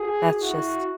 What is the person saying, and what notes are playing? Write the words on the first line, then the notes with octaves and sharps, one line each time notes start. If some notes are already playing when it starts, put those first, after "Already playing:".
that's just
Already playing: F#4 G#4
E4 F#4